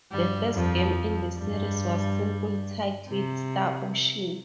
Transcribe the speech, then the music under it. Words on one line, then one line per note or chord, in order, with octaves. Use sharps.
The first game in the series was simply titled Star Ocean.
G2 G3
F2 F3
G2 G3
C3